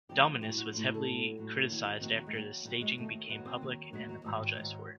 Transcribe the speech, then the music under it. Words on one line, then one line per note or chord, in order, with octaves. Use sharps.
Dominis was heavily criticized after the staging became public and apologized for it.
D2 C3 F3 G4
A2 F#3 G4
F#4
A2 F#3 F4
D#4
A4
A2 F#3
A2 F#3
D#2 D#3 F#3
D#4
D#2 D#3 F#3 C4
F#3
G#3
D#2 D#3 F#3 G3
D#2 D#3 F#3 G3
G#3
D#2 D#3 F#3 A3
D#2 D#3 F#3 B3
C4
D#2 D#3 F#3
D#2 D#3 F#3 G#3
F#3
G#2 D#3 F#3 G3
G#2 D#3 F#3